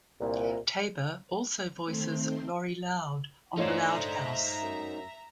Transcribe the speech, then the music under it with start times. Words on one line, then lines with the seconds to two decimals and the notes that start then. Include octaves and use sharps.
Taber also voices Lori Loud on "The Loud House".
0.20 C2 A#2
1.84 D#3 A3 C4 C5
3.57 D3 A3 D#4 F4 C5 C#5 E5 A#5
4.62 F#2